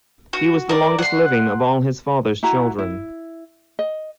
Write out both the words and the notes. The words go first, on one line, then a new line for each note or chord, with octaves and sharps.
He was the longest living of all his father's children.
F#4
A#4 D5
F#5 C6
E4 F#4 A#5
E4
D#5